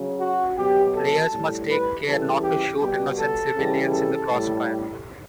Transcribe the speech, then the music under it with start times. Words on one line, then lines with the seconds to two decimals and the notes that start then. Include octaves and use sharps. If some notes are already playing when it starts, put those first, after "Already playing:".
Players must take care not to shoot innocent civilians in the crossfire.
Already playing: C#3 F#3
0.19 F#4
0.57 B2 F#3 G4
0.94 A4
1.31 A2 G3
1.68 B4
2.05 C#3 E3 G3 A4
2.42 G4
2.80 B2 G3 G4
3.17 A4
3.55 C#3 E3 G3
3.92 A4
4.30 A2 G3